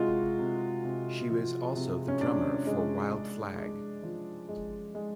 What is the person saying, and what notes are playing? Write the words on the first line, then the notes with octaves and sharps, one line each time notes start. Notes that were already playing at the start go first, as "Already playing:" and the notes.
She was also the drummer for Wild Flag.
Already playing: C3 G#3 F4 F#4
C3
C3
F3
C3
C#4
C3 D4
G#3
G#3
G#3
F3
G#3
G#3